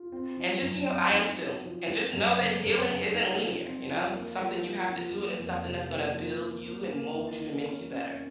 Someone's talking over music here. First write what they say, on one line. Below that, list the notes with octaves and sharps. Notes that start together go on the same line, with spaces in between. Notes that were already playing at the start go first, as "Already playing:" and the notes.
And just, you know, I am too. And just know that healing isn't linear, you know? It's something you have to do, and it's something that's gonna build you and mold you to make you better.
Already playing: F4
C4
F3
F#2
C4
D#4
F#4
F3
G#3
F#2
C#3
F#2
C#3
D#4
F3
C4
F3
A#3
F4
F3
F3
A#3
F2
C3
A#3
F3
A#3
A#3
A#3
D#3
D#3
C#4
C#4